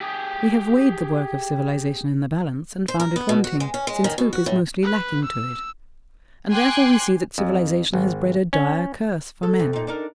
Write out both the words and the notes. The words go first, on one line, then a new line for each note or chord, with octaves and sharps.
We have weighed the work of civilization in the balance and found it wanting, since hope is mostly lacking to it, and therefore we see that civilization has bred a dire curse for men.
G4 G#4
C5
A#4
B3
B2
F#4
G#3
C#4
G#3
D#3
B2
F#4
A2
B4
E6
G5 G#5 C6 D6 F#6 G#6
F2
G#1
C#4
A4
F2
A#2 D#4
D4 D#4 A#4